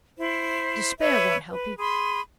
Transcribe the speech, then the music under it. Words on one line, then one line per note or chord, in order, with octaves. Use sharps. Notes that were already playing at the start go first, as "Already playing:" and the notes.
Despair won't help you.
E4 C5
B4 C#5 E5
B4
G#4 B5 C6